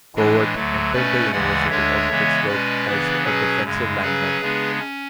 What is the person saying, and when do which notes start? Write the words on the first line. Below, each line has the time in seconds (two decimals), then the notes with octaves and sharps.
Covert entered the University of Pittsburgh as a defensive lineman.
0.16 A2 E3 G#3 D4
0.54 D2 D3 F#3 A3
0.92 B2 A3 C#4 B4 D5
1.31 D2 C#3 E3 G#3 D5 F#5
1.70 D2 D3 G#3 D4 C#5 E5
2.09 C#3 E3 G#3 B3
2.48 B2 G#3 C#4 B4 D5
2.86 C#3 E3 B3 D4
3.24 B2 F#3 C#4 G#4 B4
3.64 F#2 C#3 G#3
4.02 C#3 F#3 C#4 G#4 B4
4.41 C#3 G#3 B3 D4
4.79 C#4